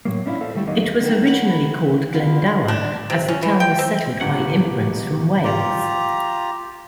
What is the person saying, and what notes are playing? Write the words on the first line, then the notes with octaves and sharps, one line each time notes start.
It was originally called Glendower as the town was settled by immigrants from Wales.
A2 F#3 A#3
C#4 D4 E4 F4 F5
A4 C5 F5
D3 G3 A3 E4
D#2 F#3 A#3 D#4 D#5
D3 D#3
C#5 F#5 B5
D3 B3 F4
D4
C3
C#4
E3
G5
C4
G1 A2 G4 F#5
B2
F4 G4 A#5